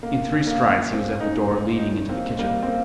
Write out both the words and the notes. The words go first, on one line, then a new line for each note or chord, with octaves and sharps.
In three strides he was at the door leading into the kitchen.
A#3
F#2
A#3
F#2
A#3 C4
F#2 D#4
F#2
A2 D#4
A#3 C4
G3 A#3
C4
A#3